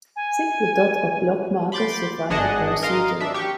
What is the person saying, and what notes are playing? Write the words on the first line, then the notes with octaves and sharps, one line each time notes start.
Simple dot or block markers survive the procedure well.
G#5
B5 C6 D6 G6 A6
G#1 D4 G#4 D#5 F#5 A5
A#4 D#5 F5 C6
D4 E5
G4 C#6